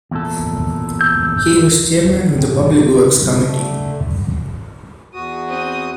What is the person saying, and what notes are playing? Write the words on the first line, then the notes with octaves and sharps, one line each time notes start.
He was chairman of the Public Works Committee.
E2 A#2 A4
E6 G6
A2 C#3
D#2 C3
C#3
D3 A3
E2 F#4 D#6
C4 D#6